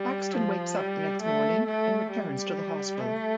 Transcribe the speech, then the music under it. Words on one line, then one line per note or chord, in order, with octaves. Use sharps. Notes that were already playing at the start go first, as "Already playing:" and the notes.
Paxton wakes up the next morning and returns to the hostel.
Already playing: G3
F3
G3
A3
A3
G3
A3